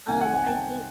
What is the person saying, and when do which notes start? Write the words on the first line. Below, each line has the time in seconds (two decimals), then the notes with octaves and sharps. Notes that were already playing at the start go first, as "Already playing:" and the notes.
Um, I think
0.08 C2 C3 D#3 F#5 G#5
0.20 F#5 G#5
0.34 F#5 G#5
0.46 G5 A5